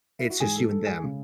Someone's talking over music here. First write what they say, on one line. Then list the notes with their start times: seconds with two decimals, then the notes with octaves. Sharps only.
it's just you and them,
0.19 E4
0.30 F#4
0.40 G#2 E3 G#3 G#4
0.56 A4
0.71 A4
0.86 G#4
1.02 C#3 G#3